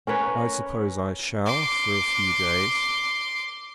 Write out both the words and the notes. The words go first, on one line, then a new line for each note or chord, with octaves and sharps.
"I suppose I shall, for a few days."
C#4 A#4 B4 C#5
C6 D6